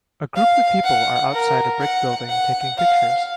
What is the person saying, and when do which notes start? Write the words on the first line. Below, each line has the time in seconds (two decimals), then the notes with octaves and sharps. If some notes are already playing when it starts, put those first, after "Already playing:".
A group of people are outside a brick building taking pictures.
0.36 F5
0.84 F#5
1.32 A#4
1.81 F#5
2.29 F#5
2.77 F5